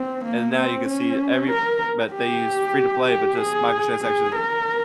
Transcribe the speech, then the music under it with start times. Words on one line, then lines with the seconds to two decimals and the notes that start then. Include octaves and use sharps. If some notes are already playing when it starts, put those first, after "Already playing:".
and now you can see every but they use free-to-play but just microtransactions
Already playing: C4
0.24 A#3
0.55 C4
0.88 C#4
1.50 A#4
2.13 G4
3.09 G4
3.41 G#4
4.04 G#4
4.36 A#4